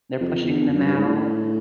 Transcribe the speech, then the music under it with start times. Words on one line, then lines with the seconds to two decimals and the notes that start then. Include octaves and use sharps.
They're pushing them out.
0.21 F2
0.41 E2
0.63 F2
0.74 F#2
0.85 G2
0.95 G#2
1.06 A2